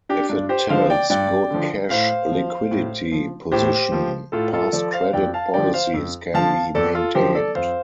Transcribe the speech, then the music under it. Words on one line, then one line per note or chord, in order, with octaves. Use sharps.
If it tells good cash liquidity position, past credit policies can be maintained.
D4 G4
G2 D4
G4 C5
D3 F3 C5 F5
D5 G5
G2 D5 G5
D3 F3
A2 C5 F5
F3
A2
F3
A2 G4 C5
F3
A2 F4 A4
F4 A4
F3 A4 D5
C5 F5
F2 D5 G5
F5 A5
D3 F3 D5 G5
C5 F5
F2
D3 F3 F5 A5
F2 A4 D5
F4 A4
D3 F3 G4 C5
A4 D5
F2 C5 F5